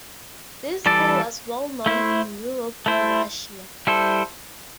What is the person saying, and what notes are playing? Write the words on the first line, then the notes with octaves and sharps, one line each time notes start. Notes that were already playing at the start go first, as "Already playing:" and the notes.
This school was well known in Europe and Russia.
E3 G3 E4 A4 D5
A3 E4 C5
A3 E4 C5
G3 E4 A4 C5